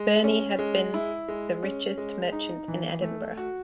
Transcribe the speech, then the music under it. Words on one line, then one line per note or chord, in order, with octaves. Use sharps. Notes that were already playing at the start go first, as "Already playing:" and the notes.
Birnie had been the richest merchant in Edinburgh.
Already playing: G#3
C#4
G#3
E4
G#3
C#4
G#3
D#4
E3
A3
F#4